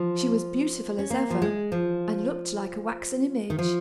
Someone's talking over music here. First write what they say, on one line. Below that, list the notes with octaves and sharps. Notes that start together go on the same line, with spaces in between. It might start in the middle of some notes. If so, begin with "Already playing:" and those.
She was beautiful as ever, and looked like a waxen image.
Already playing: F3
C#4
A#3
F3
G#3
F3
D#3
F3